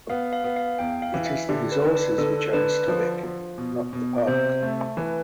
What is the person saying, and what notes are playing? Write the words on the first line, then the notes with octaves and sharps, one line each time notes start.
It is the resources which are historic, not the park.
B3 F5
F5
B3
F5
E2 G5
F5
E3
E5
D3 G4
B4
D3
B4
D3 A4
D3 B4
F3
F3
B2
B2
C3 C5
A3
E3 B4